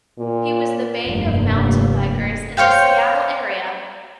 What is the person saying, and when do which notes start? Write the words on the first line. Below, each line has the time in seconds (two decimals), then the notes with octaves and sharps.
He was the bane of mountain bikers in the Seattle area.
0.18 A#2
1.05 F1 G2 A#3
2.57 C5 C#5 F5 G5